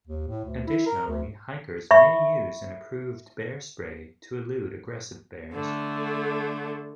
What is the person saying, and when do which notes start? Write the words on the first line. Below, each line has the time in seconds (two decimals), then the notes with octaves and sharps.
Additionally, hikers may use an approved bear spray to elude aggressive bears.
0.07 D#2
0.28 A2
0.45 D2
0.67 E4
0.86 A#4
1.07 D2
1.91 E5 B5 C#6
5.54 D3 A3